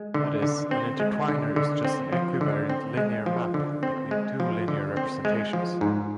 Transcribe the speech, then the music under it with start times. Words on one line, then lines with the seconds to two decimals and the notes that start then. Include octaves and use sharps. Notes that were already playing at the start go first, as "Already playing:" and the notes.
That is, an intertwiner is just an equivariant linear map between two linear representations.
Already playing: G#3
0.14 D3
0.42 D3
0.71 C4
1.00 G#3
1.28 D3
1.56 D3
1.85 C4
2.13 F3
2.41 D3
2.70 C4
2.97 G#3
3.26 F3
3.54 D3
3.83 C4
4.11 G#3
4.40 F3
4.68 D3
4.97 C4
5.25 G#3
5.53 F3
5.81 G#2